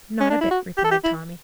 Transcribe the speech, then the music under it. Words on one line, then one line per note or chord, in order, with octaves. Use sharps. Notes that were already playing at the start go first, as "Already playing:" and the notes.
"Not a bit," replied Tommy.
C#4
D4
E4
F#4
G4
A4
G4
E4